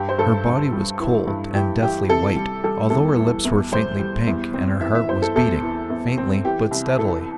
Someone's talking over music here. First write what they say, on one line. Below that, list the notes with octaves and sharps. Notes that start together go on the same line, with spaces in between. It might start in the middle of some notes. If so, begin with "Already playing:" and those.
Her body was cold, and deathly white, although her lips were faintly pink, and her heart was beating, faintly but steadily.
Already playing: G2 G4
C5
G2 A4
G2
G3
E3
G2
E3 G4
E3 G4
C3 A4
G3
G3 A4
E2 A4
E3
E2
G3 C5
G3
E2
C4
E3 E5
E5
E3 C5
A4
E2 A4
E3
E2
C4
E3 G4
C2
E3 A4